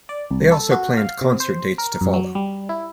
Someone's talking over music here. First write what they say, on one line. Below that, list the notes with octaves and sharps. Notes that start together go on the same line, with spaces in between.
They also planned concert dates to follow.
D5
C2
A4
F#4
F5
C3
C5
A#4
F#2
F#3
G3
E4